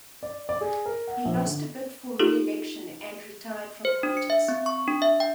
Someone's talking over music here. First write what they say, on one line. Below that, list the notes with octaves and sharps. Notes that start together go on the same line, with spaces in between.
He lost a bid for reelection and retired from politics.
D5
D5
G#4
A#4
F#5
A#1
D3
D#4 F4 G4 A4
C5
D4
C#7
E5
C4
C#6
D4
E5
G5